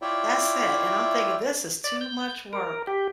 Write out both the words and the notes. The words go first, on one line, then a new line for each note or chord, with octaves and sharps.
That's it, and I'm thinking this is too much work
E4 F4 C#5 D5 E5 G5
D5
G6
A#4
G4